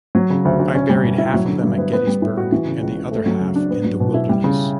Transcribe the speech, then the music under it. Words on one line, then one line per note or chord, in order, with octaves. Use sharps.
I buried half of them at Gettysburg and the other half in the Wilderness.
F#3
C#3
D2
D2
C#4
G3
B2
E4
F#3
D3
G2
B3
B3
G3
A2
F#4
E3
C#3
C#2
C#2
A3
F#3
C#3
D4
B3
F#3
B2
E4
G3
C#3